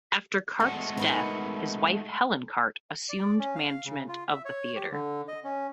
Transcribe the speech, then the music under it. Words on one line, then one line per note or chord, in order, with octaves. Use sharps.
After Carte's death, his wife Helen Carte assumed management of the theatre.
E2 G#3 A3 F#4 F#5
D#4 A#4 B4
D5
C#4
F5
C#3
F4
E5
C#5
G4
D3
D#5
C#4